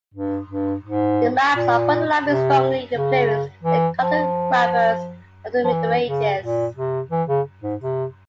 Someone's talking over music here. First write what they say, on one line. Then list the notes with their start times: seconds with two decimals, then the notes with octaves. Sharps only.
The maps of Ptolemy strongly influenced the cartographers of the Middle Ages.
0.14 G2
0.50 G2
0.84 G#2
1.55 A#2
2.24 C3
2.94 C#3
3.63 E3
3.98 F3
5.64 F3
5.72 E3
6.07 C#3
6.42 A#2
6.77 C3
7.11 E3
7.29 C#3
7.63 G#2
7.81 C3